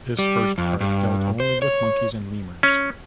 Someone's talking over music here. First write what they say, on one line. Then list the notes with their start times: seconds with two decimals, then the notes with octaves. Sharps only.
This first part dealt only with monkeys and lemurs.
0.19 G3
0.58 F2
0.81 G2
1.40 C5
1.62 C#5
2.63 C#4